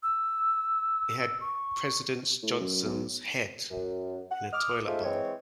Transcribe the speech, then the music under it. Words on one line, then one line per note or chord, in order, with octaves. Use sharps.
It had President Johnson's head in a toilet bowl.
E6
C#6
A2
F#2
B1
F#2
F#5
D6 D#6 F6
A3 D#4 F4 G#4 C5
E3 G#3 C4 C#5